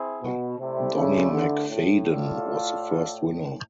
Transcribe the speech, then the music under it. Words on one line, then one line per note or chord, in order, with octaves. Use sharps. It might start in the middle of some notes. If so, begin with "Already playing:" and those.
Donnie Macfadyen was the first winner.
Already playing: C4 E4 G#4
B2
C3 A3 C4 E4 A4 D5
C#3
D3
A2
F4 A4 D5 F5